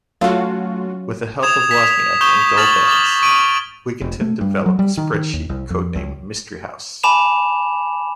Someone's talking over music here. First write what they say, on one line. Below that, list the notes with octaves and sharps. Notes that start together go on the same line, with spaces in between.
With help from Wozniak and Gull Banks, Wigginton developed The Spreadsheet, codenamed "Mystery House".
F#3 A3 C#4 F4 F#4 A4 C#5 F5
D#6 G#6 E7 F7
G#6 B6
C#6 D#6 G6 E7 G7
D6 F6 A6 F7 F#7
D6 A6 G7
C#6 D7 D#7 F#7
F1
A3
G2
F#3
G3
D#3
D#3
D#2
C2
F2
C#2
G#5 A5 B5 D6 E7 F7